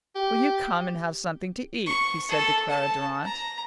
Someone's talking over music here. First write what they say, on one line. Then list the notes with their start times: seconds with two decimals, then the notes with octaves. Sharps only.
"Will you come and have something to eat?" he said to Clara Durrant.
0.15 G4
1.86 C#6
2.29 A4
2.70 A5
3.24 A#5